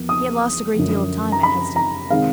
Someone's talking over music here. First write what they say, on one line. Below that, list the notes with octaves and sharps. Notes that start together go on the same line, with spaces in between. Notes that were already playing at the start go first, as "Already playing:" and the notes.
He had lost a great deal of time at Hesdin.
Already playing: E2 F3 A#3
D#6
F#2 D3 F3
A#5
B5
A#5
C3 D#3 G#3 C4 F5